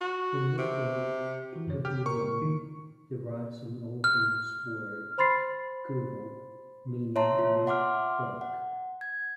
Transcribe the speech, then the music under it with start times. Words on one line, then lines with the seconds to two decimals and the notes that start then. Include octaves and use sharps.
The nickname Kuvlung derives from Old Norse word "kuvl" meaning monk cloak.
0.01 F#4
0.58 C3
1.53 E3 F#4
1.67 F#2 D3 C#5
1.85 C#3 G4 F6
2.06 A#4 C#6
2.42 D#3
4.04 F6
5.18 C5 B5 C6 A6 C7
7.16 C#5 E5 A5 A#5 C6
7.39 F4
7.66 E5 F#5 C6 D6 F6
8.41 F#5
9.01 G#6